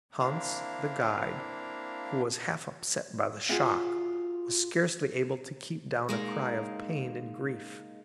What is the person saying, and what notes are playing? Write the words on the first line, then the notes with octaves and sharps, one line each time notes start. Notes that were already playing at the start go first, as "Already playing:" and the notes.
Hans, the guide, who was half upset by the shock, was scarcely able to keep down a cry of pain and grief.
A#3 C4 D4 E4 F5 A#5
F4 F#4 G#4 E5 F#5
G#3 A#3 D#4